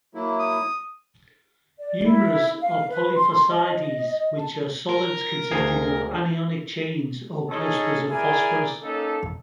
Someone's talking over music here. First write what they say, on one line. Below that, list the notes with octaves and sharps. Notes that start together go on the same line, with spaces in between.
Numerous are polyphosphides, which are solids consisting of anionic chains or clusters of phosphorus.
F#3 A#3 E4
D#6
D5
E4
F5
B4
C6
D#5
A5
A#4
D2 G#4 F5
C#4 D#4 G#4 A4 D#5 A5
E4 G#4 A#4 D5 G#5
A#3 C#4 D#4 A4